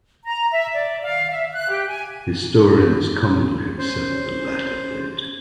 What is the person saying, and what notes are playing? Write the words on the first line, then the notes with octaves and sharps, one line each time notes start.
Historians commonly accept the latter date.
A#5
E5
D5
F5
E5
F#6
G4
G#5
C#4 C5